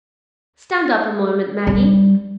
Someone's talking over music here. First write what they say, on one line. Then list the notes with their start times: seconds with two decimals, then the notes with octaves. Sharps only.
"Stand up a moment, Maggie."
1.67 G3